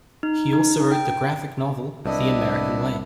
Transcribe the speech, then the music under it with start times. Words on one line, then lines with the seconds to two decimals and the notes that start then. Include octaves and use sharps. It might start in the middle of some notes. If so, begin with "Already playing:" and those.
He also wrote the graphic novel "The American Way".
0.23 D#4
0.53 D#4
0.92 G5
2.06 C2 B3 D4 E4 D#5